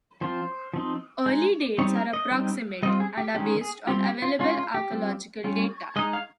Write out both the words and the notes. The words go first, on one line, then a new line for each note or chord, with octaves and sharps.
Early dates are approximate, and are based on available archaeological data.
F3 C4 F4 C5
F3 C4 D#4
G#3 D#4
G3 C4 D#4 C#5
A#4
D#5
G3 C4 D#4
G3 C4 F4 D#5
G#4
G4
D#3 G#3 C#4 G4
G#4
G3 C4 F4 G4
G4
F4
G#3 C#4 F4
F4
G4
G3 C4 F4
G3 C#4 F4
G#3 D#4 D#5
F5